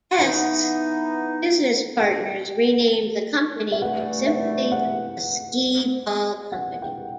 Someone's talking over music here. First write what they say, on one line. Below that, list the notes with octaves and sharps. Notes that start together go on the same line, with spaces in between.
Este's business partners renamed the company to simply the Skee-Ball Company.
E3 B3 D#4 F#5
G5
E5
G2 E3 A3 F#5
E5
F#5
F#5
G5